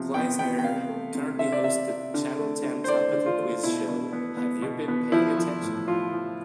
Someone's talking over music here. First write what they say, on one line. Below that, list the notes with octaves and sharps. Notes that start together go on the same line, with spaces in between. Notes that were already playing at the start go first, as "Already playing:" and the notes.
Gleisner currently hosts the Channel Ten topical quiz show Have You Been Paying Attention?
Already playing: C3 F3 B3
B3 G5
B3 G5
G5
C3 F5
A3
C3
C3 E5
D5
C3 E5
C3
D3
A3
D3
C5
A3 D5
D3
F4
A3
B2 E4
B2
B3
B3
B2
B3
F3 E4
F3
A2
F3 F4
F3